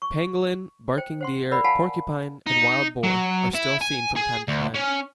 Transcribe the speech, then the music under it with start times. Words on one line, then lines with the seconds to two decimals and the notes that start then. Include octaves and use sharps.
Pangolin, barking deer, porcupine and wild boar are still seen from time to time.
0.02 C#6
0.98 C5 G5
1.21 C5 F#5 C6
1.52 A#4 D5 F#5 B5
1.64 F5 F#5 G#5 A5 B5
2.46 D#4
3.03 F#3
3.54 E4
3.81 G#5
4.16 G#4
4.48 D2
4.74 C#4